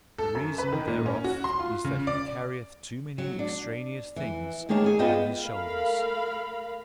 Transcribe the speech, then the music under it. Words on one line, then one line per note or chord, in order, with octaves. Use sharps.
The reason thereof is that he carrieth too many extraneous things on his shoulders.
A4
F#2
B4
D#3
A#2
C#4
F#4
C6
F4
C#3
D5
F#3
D4
E3
D#3 A#3 D4 G#4 C#5 A5
C#4 G#4
B3 F4 B4 D#5 G5 A5
A3 A#4 F5 B5